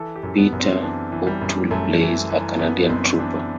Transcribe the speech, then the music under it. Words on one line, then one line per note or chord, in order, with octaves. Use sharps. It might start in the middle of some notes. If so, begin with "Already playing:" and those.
Peter O'Toole plays a Canadian trooper.
Already playing: E3 A4
G4
F#2
B3
F#2
C4
E3 D4
E3
G3
F#2
F#2 A3
E3
E3
F#2 B3
B3
F#2 C4
E3 D4